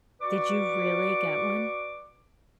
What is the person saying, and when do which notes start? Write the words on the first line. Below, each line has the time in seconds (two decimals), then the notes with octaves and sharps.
Did you really get one?
0.21 F#4 B4 D5 C#6 D6